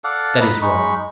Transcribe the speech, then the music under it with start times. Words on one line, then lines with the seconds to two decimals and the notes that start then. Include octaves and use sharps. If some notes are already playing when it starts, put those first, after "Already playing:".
That is wrong.
0.04 A4 D5 F5 F#5
0.41 B4 D#5 A#5
0.62 G#3 D#4 B5 C#6